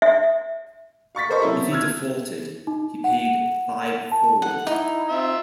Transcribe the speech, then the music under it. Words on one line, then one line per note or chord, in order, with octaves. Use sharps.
If he defaulted, he paid fivefold.
E5
F5 C#6 A6 B6
A4 A#4 C5 D#5 C#6
C3 F#3 C#4 E4
C3
E6 F6 G#6
D#4
F#5
A5
F#5
D#4 E4
C4 F4 E5